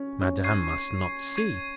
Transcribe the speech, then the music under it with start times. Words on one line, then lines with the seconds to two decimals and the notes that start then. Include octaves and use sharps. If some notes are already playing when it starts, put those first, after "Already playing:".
Madame must not see.
Already playing: C#4
0.21 C#4
0.44 C#6 G#6 C7 D#7
1.36 C#6 G#6 C7 D#7